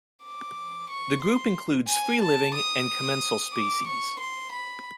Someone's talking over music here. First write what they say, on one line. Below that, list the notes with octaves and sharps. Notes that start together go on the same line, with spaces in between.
The group includes free-living and commensal species.
D6
C#6
C6
G#5
A5
D#6
D6
C#6
C6
B5